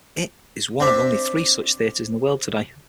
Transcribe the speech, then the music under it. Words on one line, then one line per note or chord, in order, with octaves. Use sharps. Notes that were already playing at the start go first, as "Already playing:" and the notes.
It is one of only three such theaters in the world today.
C4 D4 E5